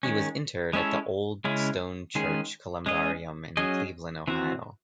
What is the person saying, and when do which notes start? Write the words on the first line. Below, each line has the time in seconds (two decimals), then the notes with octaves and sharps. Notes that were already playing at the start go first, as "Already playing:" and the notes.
He was interred at the Old Stone Church columbarium in Cleveland, Ohio.
0.03 D#3 G#3 C#4
0.73 G#3 C#4 E4 A4 C#5
1.45 C#3 G#3 C#4 E4
2.15 D#3 G#3 C#4 G#4
2.86 G#3 C#4 G#4 D#5
3.57 F#3 C#4 G#4 D#5
4.28 E3 C4 F#4